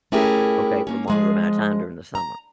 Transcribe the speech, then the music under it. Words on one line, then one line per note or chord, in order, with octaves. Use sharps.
okay, for a longer amount of time during the summer,
A3 C#4 E4 G4 G#4 A#4
A#3 C#4
F3 G#3 G#4
A#5